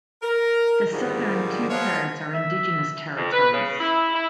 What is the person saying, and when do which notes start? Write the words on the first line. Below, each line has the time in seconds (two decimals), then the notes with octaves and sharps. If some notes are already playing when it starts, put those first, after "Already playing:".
The southern two-thirds are indigenous territories.
0.22 A#4
0.93 G#2 D3 D#3 F3 G3
1.69 F3 F#3 G#3 B3 F4 C#5
2.34 E5
3.15 F2
3.31 B4
3.52 C#3
3.79 E4
4.13 E4